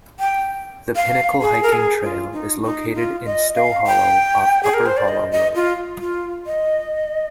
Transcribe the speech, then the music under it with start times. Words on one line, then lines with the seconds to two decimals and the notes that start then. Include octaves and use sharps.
The Pinnacle hiking trail is located in Stowe Hollow off Upper Hollow Road.
0.20 G5
0.96 F5
1.42 G#4
1.63 A#4
1.72 G#4
2.03 F4
2.33 D#4
2.64 D#4
2.95 F4
3.26 D#5
3.56 F5
3.87 G5
4.63 G#4
4.74 A#4
4.86 C5
4.97 D5
5.09 D#5
5.32 D#5
5.55 F4
6.00 F4
6.46 D#5